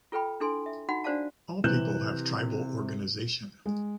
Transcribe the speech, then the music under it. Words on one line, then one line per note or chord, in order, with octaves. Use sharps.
All people have tribal organization.
F4 A4 B4 G5 B5
D4 E4 A4 G#5 C6
E5
D#4 F#4 F#5 B5
D4 F#4 C5 D5 F5 A5
C3 E3 F#6 G6 E7
G#3